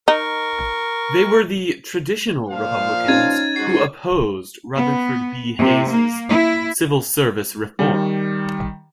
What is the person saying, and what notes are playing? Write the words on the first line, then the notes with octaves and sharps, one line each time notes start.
They were the "traditional" Republicans who opposed Rutherford B. Hayes's civil service reform.
D#4 A#4 C#6
A#2 F3 F5
C#4 D#4 G#6 A6 D#7
G#2 F#4 C7
B3
C3
A#3
E4
D#3 G3